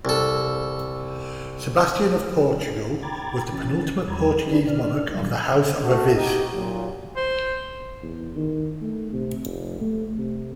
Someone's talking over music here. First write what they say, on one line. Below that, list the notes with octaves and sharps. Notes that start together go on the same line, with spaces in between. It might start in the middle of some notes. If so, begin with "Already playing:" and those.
Sebastian of Portugal was the penultimate Portuguese monarch of the House of Aviz.
C2 A4
G5 A#5 B5 D6 G#6 A6
E3 C#4 A6
E2 G3 A#5 B5 G#6
C#4 D4 E4 G#4 B4 D5
D3 D4 D5 F6
A#2 D#3 F#3 G3
A3 F#4
D#4 G4
A#2 F#3
C5
E2
D#3
A3
C3
F1
A3
C3